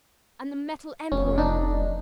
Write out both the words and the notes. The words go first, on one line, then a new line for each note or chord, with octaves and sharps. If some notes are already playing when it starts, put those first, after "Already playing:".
And the Metal Emperor!
F1 C#4
D4 D#4